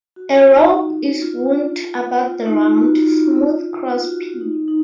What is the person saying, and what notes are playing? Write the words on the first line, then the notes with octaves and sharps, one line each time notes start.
A rope is wound about the round, smooth crosspiece.
F#4
F4
D#4
F4
F4
D#4
D#4
F4
F#4
F4
F4
F#4
F4
D#4
D#4